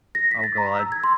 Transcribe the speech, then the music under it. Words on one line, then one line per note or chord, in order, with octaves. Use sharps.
Oh god.
A#6
B6
A6
A#5
E6
G#6
C6